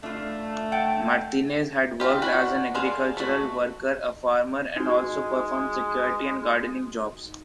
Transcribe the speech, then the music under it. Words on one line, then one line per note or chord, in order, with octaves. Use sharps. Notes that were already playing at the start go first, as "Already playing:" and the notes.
Martínez had worked as an agricultural worker, a farmer, and also performed security and gardening jobs.
A3 D4 F4
F#5 G5 A5
E3 F3 F4 G4
D4 E4 F#4 F#5
D4 G#4 C5 F5
A3 F#4
G#3 D#4 F#4